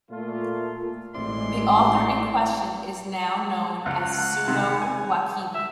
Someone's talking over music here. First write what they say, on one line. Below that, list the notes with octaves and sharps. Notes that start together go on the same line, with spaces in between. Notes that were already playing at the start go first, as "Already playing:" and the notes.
The author in question is now known as pseudo-Waqidi.
A#2 A3 F4
A1 G#3 A3 C4 E4 D5 C6
C#2 F#5
C3 D#3
G#5
E5